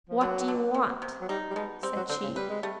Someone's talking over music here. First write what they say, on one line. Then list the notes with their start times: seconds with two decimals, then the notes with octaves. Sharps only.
'What do you want?' said she.
0.10 F3
0.21 D3 F#3
0.48 D3
0.74 C3
1.02 C3
1.21 F#3
1.29 G3 D#4
1.51 G3
1.56 B2 G#3
1.83 G3 C4
1.97 F#3
2.09 D3 C4
2.24 C#3
2.36 G3 B4
2.50 G#3
2.62 G3 A3